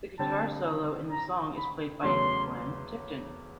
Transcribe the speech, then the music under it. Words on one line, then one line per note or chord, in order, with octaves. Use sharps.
The guitar solo in the song is played by Glenn Tipton.
D3 G3 C4 A5
A#5
B5
E2 C#3 F#3 A3 C#4 C6